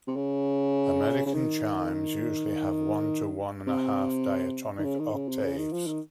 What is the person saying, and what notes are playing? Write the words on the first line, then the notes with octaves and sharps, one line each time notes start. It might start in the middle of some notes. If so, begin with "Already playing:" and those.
American chimes usually have one to one and a half diatonic octaves.
C3
C#3
C#3
D#3
C3
D#3
C#3
D#3
C#3
C3
C#3
D#3
F3
D#3